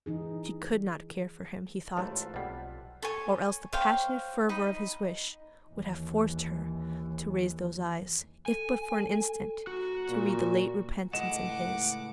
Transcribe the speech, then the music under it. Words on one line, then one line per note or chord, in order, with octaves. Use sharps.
She could not care for him, he thought, or else the passionate fervour of his wish would have forced her to raise those eyes, if but for an instant, to read the late repentance in his.
E3 D#4 G#4
A1 G#2 F4 A4 B4 C#5
B1 F2 G3 D#5 F#5
A4 C#5 G#5
C5 C#5 F5 G5
D#4 D#5 B5
D#2 E3
A4 G#5
G#1 F#4 A#5
A#2
C#2 A2 D#5 F#5 D6 E7